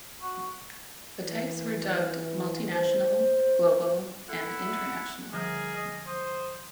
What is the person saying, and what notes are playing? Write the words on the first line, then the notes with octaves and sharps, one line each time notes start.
The types were dubbed "Multinational", "Global" and "International".
F#4
E3
C5
E4 A4 F#5
D3 F3 G3 G#4 A#4
D#5
C5 D#6